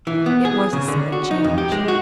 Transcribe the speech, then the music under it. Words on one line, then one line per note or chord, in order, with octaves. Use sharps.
It was a sad change.
E3
B3
G#4
C#3
D3
F#4
D#4
F2
G4
G#3
F#4